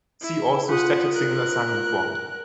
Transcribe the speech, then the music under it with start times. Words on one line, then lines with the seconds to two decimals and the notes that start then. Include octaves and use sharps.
See also static single assignment form.
0.21 E4 E5
0.69 F4 F#5 D#6
1.12 A#4 F#6